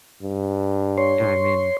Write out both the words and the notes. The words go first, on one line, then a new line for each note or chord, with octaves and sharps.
Yeah, I mean
G2
C#5 C6